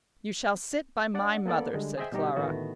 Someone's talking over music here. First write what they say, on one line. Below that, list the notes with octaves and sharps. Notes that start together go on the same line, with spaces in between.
"You shall sit by my mother," said Clara.
D4 D5 F#5
A#3 B3 A4 D5
D3 G3 G#3
G#4 C5 D#5 E5 G5 G#5
B2 G3 D#4 G4
A2 D3 D#3 A3 B3 F#4